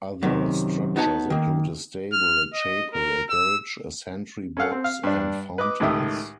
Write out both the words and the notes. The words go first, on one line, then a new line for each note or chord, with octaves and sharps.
Other structures include a stable, a chapel, a garage, a sentry box and fountains.
F#2 C3 D#3
B3 D#4 F#4 C#5 A5
D#3 A#3
F6
D#5
A#4
E6
C#4 A4 F5 F#5
C4
F5
G2 D4
B4 D#5 D6
C#2 A2 D#3 G4 E5 D#6